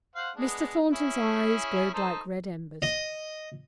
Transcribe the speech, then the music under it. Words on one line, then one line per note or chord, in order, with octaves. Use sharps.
Mr. Thornton's eyes glowed like red embers.
C5 F5 F#5
G#3 B3 D4
C#4 E4 G#4
D#4 A4 C5
D#5